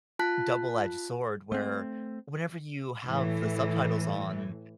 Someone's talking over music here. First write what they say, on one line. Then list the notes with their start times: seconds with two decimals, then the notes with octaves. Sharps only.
double-edge sword where whenever you have the subtitles on,
0.19 F4 A5 F#6 B6
1.52 A3 C4
3.04 A2 E3